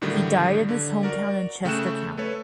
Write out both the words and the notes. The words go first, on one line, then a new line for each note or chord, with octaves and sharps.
He died in his hometown in Chester County.
A2 D3 D#3 F#3 G3
D3
F#4 A#4 D5
C#3 A3 G5 C#6 F#6 E7
A3 A4 B4 C#5